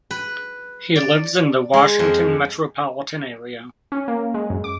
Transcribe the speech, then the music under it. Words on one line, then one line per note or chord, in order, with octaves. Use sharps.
He lives in the Washington metropolitan area.
B4
D5
G#3
F2
C#4
A#3
G#3
F#2
D6